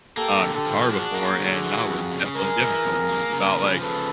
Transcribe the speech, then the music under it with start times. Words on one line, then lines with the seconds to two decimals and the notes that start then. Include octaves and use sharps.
uh, guitar before and that was definitely difficult, it was about, like,
0.17 A#3 G4 A4
0.42 D3
0.53 G4 A4
0.66 F3
0.90 D4 F#4 G#4
1.14 A#3
1.39 D3
1.63 E3
1.87 F2
2.12 C#3
2.36 G#3 G#4 A#4
2.61 E3
2.85 F2
3.09 A#3
3.33 C#3
3.58 F3
3.82 C#3 A4 B4